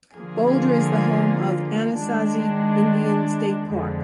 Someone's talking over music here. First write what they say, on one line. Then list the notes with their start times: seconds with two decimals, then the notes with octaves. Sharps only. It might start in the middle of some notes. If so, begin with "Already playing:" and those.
Boulder is the home of Anasazi Indian State Park.
0.16 D3 F3 A#3 F4 G#4
1.93 D#3 G#3 D4
3.71 F2 D3 F3 G#3